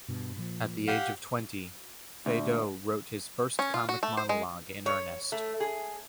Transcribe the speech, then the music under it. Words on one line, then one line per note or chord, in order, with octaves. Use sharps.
At the age of twenty, Feydeau wrote his first comic monologue in earnest.
G2 B2
A#2 F3
G4 F5 F#5
D2
C#4
F4
F#4
A3
C5
G#3
C#5
A3
G#4